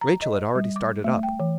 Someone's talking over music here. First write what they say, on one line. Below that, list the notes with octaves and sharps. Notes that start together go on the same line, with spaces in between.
Rachael had already started up.
A#5
D#5
G3
D6
A3
G5
E3